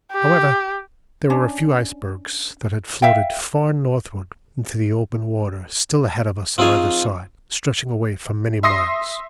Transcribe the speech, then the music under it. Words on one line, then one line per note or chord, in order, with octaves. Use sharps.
However, there were a few icebergs that had floated far northward into the open water still ahead of us on either side, stretching away for many miles.
G4
C#4 D4
E5 F5 G5
F3 C4 D#4 F4 G#4 C#5
E5 C6 D#6 A#6 C7